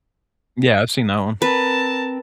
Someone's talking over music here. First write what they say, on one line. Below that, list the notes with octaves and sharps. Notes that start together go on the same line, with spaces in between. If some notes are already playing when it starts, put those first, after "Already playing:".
Yeah, I've seen that one.
C4 A#4 B4 A5